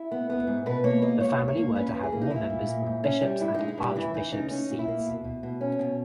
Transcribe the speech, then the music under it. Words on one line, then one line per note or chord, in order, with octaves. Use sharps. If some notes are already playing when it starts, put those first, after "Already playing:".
The family were to have more members on bishops' and archbishops' seats.
Already playing: E4
B3
B3
G#2
B2 B4
A#3 C#5
A#3 D#5
G#2 C#5
G#2
C#5
A#3
C#4 B4
E3
G#4
A#3
D#4
A#3 E4
A#2
A#2
G#2
C#4
G3
G2 E4
G#3 D#4
E4
G2 G4
E3 E4
E3 D#4
C#3 D#4
C#4 D#4
A#2
E4
A#3
B2
B2
B2
C#4
B2